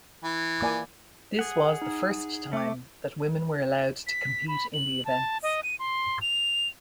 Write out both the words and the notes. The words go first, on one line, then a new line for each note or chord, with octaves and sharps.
This was the first time that women were allowed to compete in the events.
E3
A#3 D5 G#5
G#4 F#5
D#4
A3 E5 D6
B6
B5
F#7
A5
D#5
D#7
C6
F7